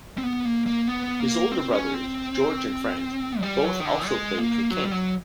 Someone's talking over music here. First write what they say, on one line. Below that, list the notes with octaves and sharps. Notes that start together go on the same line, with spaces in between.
His older brothers, George and Frank, both also played for Kent.
C4
B3
A#3
A#3
B3
A#3
C4
C#4
C4
F#3
G3
F#3
D#3
D3
G#3
A#3
F#3
G3
F#3